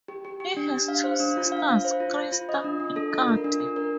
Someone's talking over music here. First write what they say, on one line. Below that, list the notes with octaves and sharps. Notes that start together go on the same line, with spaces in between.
He has two sisters, Krista and Katie.
G4
G4
G4
D4
G4
F5
C5
D4
F4
F5
F4
C5
F4
F4
F4
D#5
D4
D4
A4
F4
A#4
D4
D4
A#4